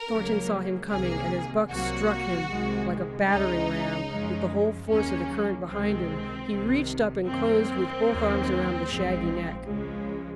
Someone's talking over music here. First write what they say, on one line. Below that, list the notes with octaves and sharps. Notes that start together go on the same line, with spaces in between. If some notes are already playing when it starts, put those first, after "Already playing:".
Thornton saw him coming, and, as Buck struck him like a battering ram, with the whole force of the current behind him, he reached up and closed with both arms around the shaggy neck.
Already playing: A#4
C#2 C#3 F#3 A#3
C2 C3 D#3 A#3 G#4
C2 C3 F#3 A#3 F#4
C2 C3 D#3 G#3
C#2 C#3 G#3 D#4
F#2 C#3 F3 G#3
D#2 C#3 F#3 A#3 C#4
C#2 C3 D#3 G#3 C4
C2 C3 D#3
F#2 D#3 F#3 A#3 C4
D#2 D#3 F#3 A#3
A#1 G#2 F3 G#3
C#2 C#3 F3 G#3